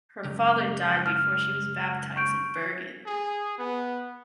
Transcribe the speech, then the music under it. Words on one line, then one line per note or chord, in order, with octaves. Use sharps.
Her father died before she was baptized in Bergen.
C#2 F#2
F6
C#6 G6 D7
G#4
B3